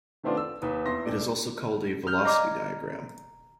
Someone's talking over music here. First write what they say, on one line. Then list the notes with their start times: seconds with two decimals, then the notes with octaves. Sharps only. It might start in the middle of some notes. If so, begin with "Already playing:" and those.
It is also called a velocity diagram.
0.23 D#3 A3 B3 C4 D4 F4
0.37 E6
0.62 D#2 B4 D#6
0.86 E2 C6 A#6
1.05 D#1 D4
2.07 F6 G6
2.25 D5 D#5 A#5 D6 G#6